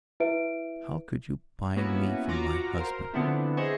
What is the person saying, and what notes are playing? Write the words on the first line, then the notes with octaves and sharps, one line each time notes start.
How could you buy me from my husband?
E4 B4 E5 D7
A#3 B3 C#4 E4 F#4 B4
F4 F#4 A#5 D6
A#4 C5
D3 F3 B3 C4 D4 E4
G#4 C5 D#5 E5 G#5 C#6